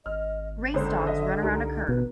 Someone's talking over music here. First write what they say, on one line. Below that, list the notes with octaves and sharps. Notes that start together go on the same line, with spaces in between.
Race dogs run around a curve.
G#1 D#5 F6
C#2 D3 A#3 C5
D#5 E5
C2 G3 D#4 A#4
A1 B2 B4